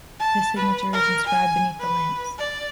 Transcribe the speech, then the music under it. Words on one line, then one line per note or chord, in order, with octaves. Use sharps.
His signature is inscribed beneath the lamps.
A5
B4
A#4
G#5
B4
D5